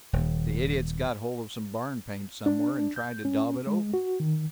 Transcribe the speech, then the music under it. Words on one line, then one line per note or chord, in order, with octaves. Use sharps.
The idiot's got hold of some barn paint somewhere, and tried to daub it over.
D#1 D#2
D4
G6
C#4
G#3
F#4
D#3